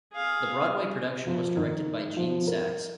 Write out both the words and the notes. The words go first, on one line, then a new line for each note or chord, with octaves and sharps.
The Broadway production was directed by Gene Saks.
G#4 F5
F3
D#3
F3
A#4